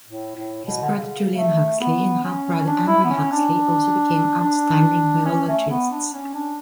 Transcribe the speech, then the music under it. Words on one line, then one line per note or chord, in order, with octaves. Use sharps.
His brother Julian Huxley and half-brother Andrew Huxley also became outstanding biologists.
A2
A2
B2
D3
C#3
A3
B3
C#4
D4
E4
B3
C#4
D4
D4
C#4
A3
B3
D4
C#4
D4